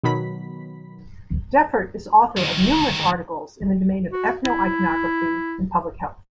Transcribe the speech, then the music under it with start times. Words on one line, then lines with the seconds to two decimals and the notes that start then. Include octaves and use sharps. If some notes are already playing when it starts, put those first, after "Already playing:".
Defert is author of numerous articles in the domain of ethno-iconography and public health.
0.03 B2 D#3 F#3 B5 B6
2.37 D2 D#3
4.11 F#4
4.44 E4